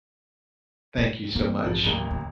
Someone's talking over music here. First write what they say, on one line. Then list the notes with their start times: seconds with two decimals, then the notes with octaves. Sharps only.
Thank you so much.
0.98 E4
1.36 E3 A#3 C4
1.63 A#1 G#2 C#3 F3
1.85 A1 D#2 A2 F#3 A#3 F7
2.11 D2